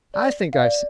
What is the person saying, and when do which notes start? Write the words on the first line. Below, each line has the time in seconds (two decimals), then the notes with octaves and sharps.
I think I see.
0.14 D5
0.53 F5
0.64 D5